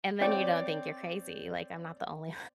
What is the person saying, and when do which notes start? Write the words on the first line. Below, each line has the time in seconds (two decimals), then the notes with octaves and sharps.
And then you don't think you're crazy, like, I'm not the only, o
0.21 C4 C#5 D5 G5